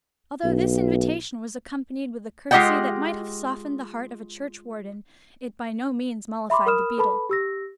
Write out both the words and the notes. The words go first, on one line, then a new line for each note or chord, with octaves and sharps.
Although this invitation was accompanied with a curtsey that might have softened the heart of a church-warden, it by no means mollified the beadle.
B1
G#3 F4 G4 D#5 F#5 G5
E5 B5 C6 D6
A#4 B5 D#6 F6 E7
A4 B4 A5 B5
G4 E6 A#6